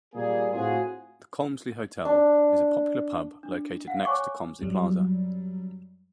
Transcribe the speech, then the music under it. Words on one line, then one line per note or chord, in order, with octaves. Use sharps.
The Colmslie Hotel is a popular pub located next to Colmslie Plaza.
A#2 G3 A#3 G#4
A2 C4 F4 F#4 G#4
D4
D4
F5 F#5
C#5 G#5 C#6 D6
F#2 F#3 G3